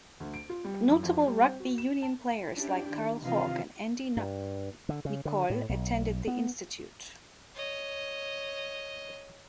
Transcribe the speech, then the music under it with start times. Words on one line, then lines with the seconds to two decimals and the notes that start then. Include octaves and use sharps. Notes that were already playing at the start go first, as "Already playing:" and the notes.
Notable rugby union players like Carl Hogg and Andy Nicol attended the Institute.
0.20 D2
0.34 D7
0.49 F4
0.64 G3
0.89 F#2
1.03 F2
1.27 G3
1.42 C4
1.60 F#4
1.78 E7
2.02 A5
2.54 C#4 D4 E4 G4
2.90 D#3
3.24 C3 D#3 E3 F4 D#5 F5
4.17 G2
4.89 D3
5.05 C#3
5.25 D3
5.50 A2
5.69 B1
6.27 B3
7.54 C#5 D#5